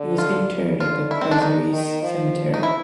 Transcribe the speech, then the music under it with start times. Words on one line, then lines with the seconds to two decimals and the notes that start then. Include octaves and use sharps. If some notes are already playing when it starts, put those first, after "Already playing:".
He was interred at the Prazeres Cemetery.
Already playing: D3
0.18 F4
0.50 C#3
0.80 D3 F4
1.11 E4
1.21 C4
1.31 D4
1.42 D#4
1.72 D#3
2.02 F3
2.54 D#4
2.63 E4